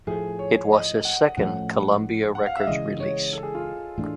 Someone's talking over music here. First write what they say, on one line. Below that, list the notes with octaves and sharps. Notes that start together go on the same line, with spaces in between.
It was his second Columbia Records release.
A2 F3 A3 G#4
C#5
D#5
F#5
A2 F3 A3 C#4 F#5
F#5
F5
E5
C#3 E3 G#3 D#5
C#5
A4
G#4
F4
A2 E3 A3 D4